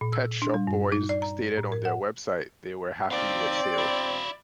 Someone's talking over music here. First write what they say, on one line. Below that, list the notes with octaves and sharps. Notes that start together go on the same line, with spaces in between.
Pet Shop Boys stated on their website they were happy with sales.
A#2
E6
D4
G3
G2
D#4
D5
A#5
A2
A#4
F#5
C4 D#4 D5 F5
E4 F5